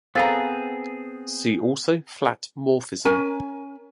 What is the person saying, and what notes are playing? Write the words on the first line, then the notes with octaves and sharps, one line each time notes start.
See also flat morphism.
B3 C4 G#4 A4 C5 F5 A#5 A6
C#4 A#4 G#5